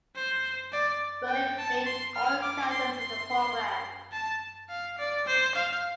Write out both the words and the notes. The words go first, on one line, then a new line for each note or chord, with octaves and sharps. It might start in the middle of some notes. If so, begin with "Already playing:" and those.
Burdick played all characters in the program.
C5
D5
G5
A5
C6
F6
D6
C6
C6
A5
F5
D5
C5
F5